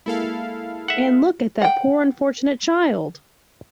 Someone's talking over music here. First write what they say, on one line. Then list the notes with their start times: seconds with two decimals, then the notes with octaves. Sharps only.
And look at that poor unfortunate child!
0.06 G#3 A#3 E4 G#4 A4 F5
0.88 E5 F#5
1.62 F#5 G5